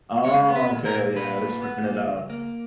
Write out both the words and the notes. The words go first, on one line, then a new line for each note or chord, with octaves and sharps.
Okay, yeah, they're switching it out.
G#3 C#5
B3
B4
A#2
A#4
A#2
A#2 B4
A#2
B3
A#2
C#2
A#3